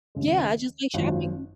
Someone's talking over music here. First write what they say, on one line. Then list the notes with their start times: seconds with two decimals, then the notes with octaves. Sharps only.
Yeah, I just like shopping.
0.15 D#2 C#3 G#3
0.94 G#1 F#2 F3